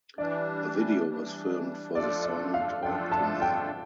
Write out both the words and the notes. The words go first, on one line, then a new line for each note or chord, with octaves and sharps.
A video was filmed for the song "Talk To Me".
E3 G3 D4 D5
E3 G3 D4
F3 A3 D4 F4 A4 D5
D5
F5
F3 A3 D4 F4 A4 G5
A5
G5